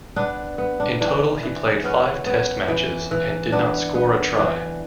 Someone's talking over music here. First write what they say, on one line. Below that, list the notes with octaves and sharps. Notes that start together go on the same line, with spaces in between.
In total he played five test matches and did not score a try.
B3 D4
B3
D4
E3 D4
E3
B3 C#4
B3
E3
E3
B3 D4
B3
E3 D4